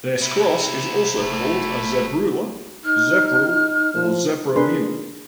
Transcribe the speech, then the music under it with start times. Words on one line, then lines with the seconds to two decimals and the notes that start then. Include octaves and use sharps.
This cross is also called a zebrula, zebrule, or zebra mule.
0.21 C3 E4
1.17 F#1 A3
2.84 D#4 F6
3.94 F3
4.56 D4 G#4 A#4 B4 C6